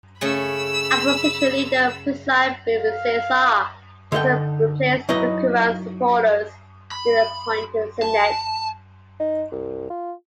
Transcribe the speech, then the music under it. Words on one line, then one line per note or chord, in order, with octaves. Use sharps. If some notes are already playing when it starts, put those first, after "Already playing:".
Opposition Leader Persad-Bissessar also replaced Dookeran's supporters in the appointed Senate.
C#3 A3 G#4 B5 E6
F5
D3 D#4 A4 G5
F#3 D#4 E4 B4 D#5
B5
A5
D#4
C2
F4